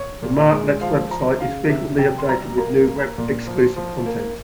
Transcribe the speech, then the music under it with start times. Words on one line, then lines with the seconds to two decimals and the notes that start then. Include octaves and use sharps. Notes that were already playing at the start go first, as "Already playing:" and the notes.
The Martlet's website is frequently updated with new web-exclusive content.
Already playing: C#5
0.22 A#2
0.37 E5
0.52 G#3
0.81 F3 F5
1.10 F3 A#5
1.40 C#3 F5
1.69 C3 E5
1.99 C3 G5
2.18 C6
2.29 G3 A#5
2.58 A#3 A#5
2.87 A#3
3.18 A#2
3.47 F3
3.76 F3
4.06 A#3